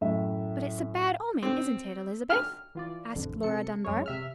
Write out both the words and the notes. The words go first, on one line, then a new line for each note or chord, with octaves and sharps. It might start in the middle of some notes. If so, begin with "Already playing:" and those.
"But it's a bad omen, isn't it, Elizabeth?" asked Laura Dunbar.
F#2 A2 E5
C4
F6
E3 F4 D5
A1 F2 D3
C3 A4 C#7
F#2 G#3 C#5
C3 E5 F6